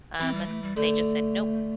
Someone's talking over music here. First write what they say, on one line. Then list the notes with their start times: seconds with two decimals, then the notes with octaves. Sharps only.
Um, and they just said, nope.
0.20 E3 C4
0.34 G3
0.48 A3
0.62 G3
0.76 D3 A3